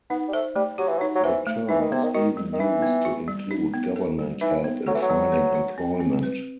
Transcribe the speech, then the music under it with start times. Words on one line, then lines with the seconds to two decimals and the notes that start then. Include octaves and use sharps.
The term is even used to include government help in finding employment.
0.10 B3 D#4
0.28 G3
0.33 A3 C5
0.56 G3 A3
0.78 F#3 G4
0.88 E3
0.98 F#3 D#4
1.15 F#3
1.24 E3 C5
1.47 A3
1.69 E3 D#4
1.81 D#3
1.92 C3 B3
2.03 D#3
2.14 D#3 F#4
2.37 G3
2.53 D#3
2.60 E3 D#4
2.82 B3
3.05 F#4
3.28 G3
3.51 D#4
3.74 B3
3.96 A4
4.19 G3
4.41 E3 D#4
4.64 B3
4.87 F#3 A4
4.95 E3
5.02 F#3
5.09 G3
5.32 B4
5.55 F#4
5.78 C4
6.00 C4
6.23 B4